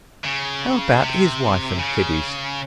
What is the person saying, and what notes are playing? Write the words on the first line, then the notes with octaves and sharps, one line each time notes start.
How about his wife and kiddies?
C#3
C3
C#3